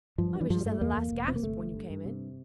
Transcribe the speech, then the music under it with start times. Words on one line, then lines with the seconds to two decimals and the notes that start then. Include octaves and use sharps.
I was just at the last gasp when you came in.
0.18 G2 F3
0.35 G2
0.41 E3
0.50 G2 F3
0.60 G3
0.66 G2 A3
0.81 E2 A#3
0.97 E2
1.13 E1
1.28 C3 C4
1.36 A#3
1.43 G1 A3
1.59 G2
1.75 G2
1.90 G2
2.05 C3